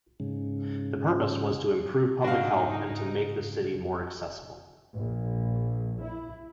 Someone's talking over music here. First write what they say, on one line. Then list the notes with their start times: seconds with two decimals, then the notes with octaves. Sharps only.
The purpose was to improve public health and to make the city more accessible.
0.20 G#2 C#3
2.24 C#2 G#2 D4 D#4 F#4 F5
4.94 A#1
6.01 E4